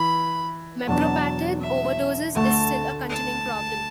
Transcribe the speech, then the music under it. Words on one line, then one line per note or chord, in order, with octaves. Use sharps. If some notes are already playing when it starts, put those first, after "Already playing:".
Meprobamate overdosage is still a continuing problem.
Already playing: E3 B5
E2 B2 F#3 D4 A5
E5
D2 D3 A3 A5
A5